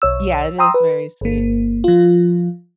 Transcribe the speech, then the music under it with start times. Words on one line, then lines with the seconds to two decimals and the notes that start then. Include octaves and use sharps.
Yeah, it is very sweet.
0.02 B1 C#5 E6
0.58 G5 A#5 C6 D#6 E6
0.74 B4
1.21 G1 A#3
1.84 F3 F4